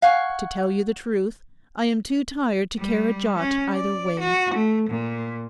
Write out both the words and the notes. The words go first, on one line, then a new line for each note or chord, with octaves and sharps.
'To tell you the truth, I am too tired to care a jot either way.
F5 F#5 G#5 C#6
G3
C#4
D5
F#4
A3
A#2